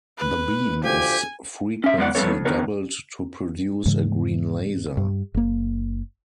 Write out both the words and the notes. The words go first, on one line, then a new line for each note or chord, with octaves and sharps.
The beam is frequency doubled to produce a green laser.
B4
D2 F3 G4 G#5
C#4 E5
F3 G#3 B3 C#5 D5 F#5
F3 G3 B3 C4 A4 C#5
F2
D3 D#3 B3 A#4 C#5
G#2 C#3 E3 G#3
G2
F#1 A#3